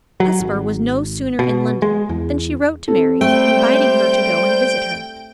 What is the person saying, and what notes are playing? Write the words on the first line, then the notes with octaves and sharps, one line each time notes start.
Hesper was no sooner in London, than she wrote to Mary, inviting her to go and visit her.
F#3
G#1
B2
G#3
E2
C4 G4 A4
G3 A3 C5 G5